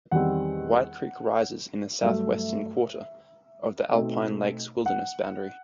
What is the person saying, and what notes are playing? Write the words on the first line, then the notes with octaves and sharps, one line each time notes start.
White Creek rises in the southwestern quarter of the Alpine Lakes Wilderness boundary.
E2 D#3 G3 C4 F#5
G2 F#3 A3 E5
B2 A3 C4 D#4
F#5